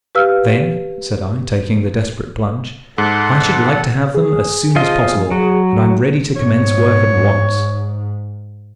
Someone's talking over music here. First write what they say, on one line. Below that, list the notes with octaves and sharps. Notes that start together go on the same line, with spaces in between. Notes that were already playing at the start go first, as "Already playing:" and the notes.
"Then," said I, taking the desperate plunge, "I should like to have them as soon as possible, and I am ready to commence work at once."
G4 B4 F5 E6 F6
G#2 A4 F#5
G#4
F3 F4 D#5
F#3
G#2 C#5